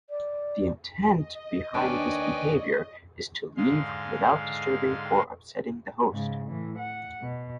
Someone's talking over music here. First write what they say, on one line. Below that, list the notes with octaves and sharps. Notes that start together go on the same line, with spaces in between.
The intent behind this behaviour is to leave without disturbing or upsetting the host.
D5
D#5
D#2 D#3 D4 B4 C#5 D5 G5 G#5
G#2 D3 G#3 F5 C6
G#2 C#3
A2 E3
F#5
B2